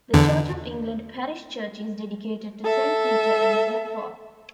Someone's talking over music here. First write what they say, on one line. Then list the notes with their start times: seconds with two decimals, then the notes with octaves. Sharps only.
The Church of England parish church is dedicated to Saint Peter and Saint Paul.
0.14 E2 D3
2.64 A4 E5